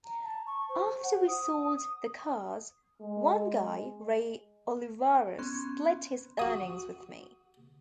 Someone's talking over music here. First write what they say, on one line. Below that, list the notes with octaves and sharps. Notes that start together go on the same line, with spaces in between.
After we sold the cars, one guy, Ray Olivaras, split his earnings with me.
A#5
A5
C#6
C5
F#5
D#6
G#3
B3 C#4 C6
F#4 D#6